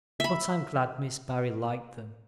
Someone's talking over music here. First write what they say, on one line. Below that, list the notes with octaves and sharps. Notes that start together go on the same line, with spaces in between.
But I'm glad Miss Barry liked them.
E5 B5